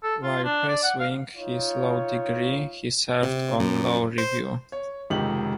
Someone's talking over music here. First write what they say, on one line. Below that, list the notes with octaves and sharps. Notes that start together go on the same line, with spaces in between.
While pursuing his law degree he served on Law Review.
A4
F4
D4
D5
F#5
F5
D#4 F4 C#5
C3
F#2
C5
C#5
F1 C#2 D#3 D#4 G4 F#7